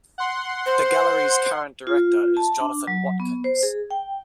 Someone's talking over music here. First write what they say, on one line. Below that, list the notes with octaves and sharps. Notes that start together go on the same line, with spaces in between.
The gallery's current director is Jonathan Watkins.
F#5 C6
C5
F4
A5
D4
F#3
B3
C5
G#4
G5